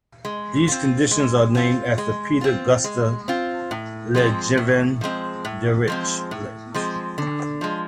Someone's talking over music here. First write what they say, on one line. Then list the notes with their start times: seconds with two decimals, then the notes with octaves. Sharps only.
These conditions are named after Peter Gustav Lejeune Dirichlet.
0.25 G#3
0.68 C4 F4
1.11 G#3
1.55 C4 F4
1.98 G#3
2.41 C4 F4
2.84 G#3
3.28 C4 F4
3.71 A2
4.15 F3 G#3 C4
4.58 A2
5.01 F3 G#3 C4
5.45 A2
5.88 F3 G#3 C4
6.31 A2
6.74 F3 G#3 C4
7.18 D3
7.61 F3 G#3